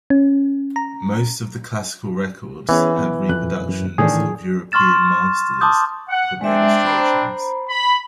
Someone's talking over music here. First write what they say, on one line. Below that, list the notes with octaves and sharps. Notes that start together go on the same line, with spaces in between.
Most of the classical records had reproductions of European masters for the illustrations.
C#4
A#5
E3 B3 C#4 G#4
B3
F2 F#6
F#2
A2 D#3 E3 G#3 D4 G#4
C6 C#6 F6 A6 E7
A5 C6 D6 D#6 G6
F#5
G#3 C4 D4 E5
C5 A#5 B5
B5